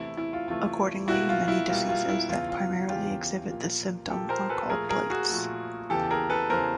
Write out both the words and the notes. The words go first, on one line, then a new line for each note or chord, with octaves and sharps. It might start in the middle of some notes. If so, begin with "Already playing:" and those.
Accordingly, many diseases that primarily exhibit this symptom are called blights.
Already playing: C3 E3 A3 E4
E4
F4
C3 E3 A3 F4
B2 G3 A#3 E4 F#4
F4
E4
B2 G3 A#3 F4
F4
E4
E2 C#3 E3 F4
F4
E2 C#3 E3 F4 G4
A#2 F3 A#3
A#2 F3 A#3 G4 A4
A#4 C5
A4 B4
A#2 F3 A3 G#4 A#4
G#4 A#4
F#4 G#4
A#2 F3 A3
E2 C#3 E3 G4 A4
G#4 A#4
A4 B4
E2 C#3 E3 A#4 C5